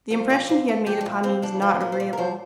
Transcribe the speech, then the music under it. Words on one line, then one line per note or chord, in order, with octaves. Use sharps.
The impression he had made upon me was not agreeable.
F3 C5
A#2 D5
A#2 C5
F3 A4
F3 G4
D4
A#2 E4
A#2 C4
F3 D4
F3 F4
A#2 A#4
C5
A#2 D5
A#4
F3 C5